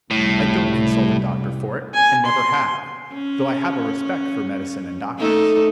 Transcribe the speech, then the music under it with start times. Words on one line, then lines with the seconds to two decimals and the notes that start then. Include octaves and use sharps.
I don't consult a doctor for it, and never have, though I have a respect for medicine and doctors.
0.11 F1 C#2 A2 G3
1.94 G#5
2.25 C6
3.14 C#4
5.18 A3 D#4 A4